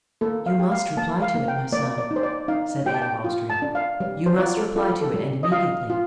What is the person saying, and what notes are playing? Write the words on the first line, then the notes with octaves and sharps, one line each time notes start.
"You must reply to it, my son," said Anne of Austria; "you must reply to it, and immediately."
A#3 A4
F5
G4
F5
A#3 A5
F5
A#3
G5
A#3 D5
D5
D#4
C5
D5
D#4 F5
G4 G5
A5
G5
F4
A5
D4
F5
G3
C5
F4 D5
A4
F4 A4
A4
G3
D#5
F4 F5
F4